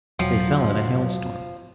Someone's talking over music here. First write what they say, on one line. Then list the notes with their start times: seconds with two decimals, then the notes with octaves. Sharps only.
They fell in a hailstorm.
0.19 E1 F3 F#3